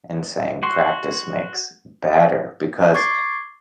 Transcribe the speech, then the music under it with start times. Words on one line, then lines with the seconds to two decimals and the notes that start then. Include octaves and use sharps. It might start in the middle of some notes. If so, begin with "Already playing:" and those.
and saying practice makes better because
0.63 F#4 C6
2.94 C#6 D6 G#6 A6 C7